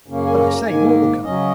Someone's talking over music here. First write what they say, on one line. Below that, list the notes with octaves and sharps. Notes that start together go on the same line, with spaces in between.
But I say, more will come!
F#2 C#3 A#3 C#4
G#5
A#5
G#2 D#3 A#3 G#5
C#3 F#3 C#4 D#5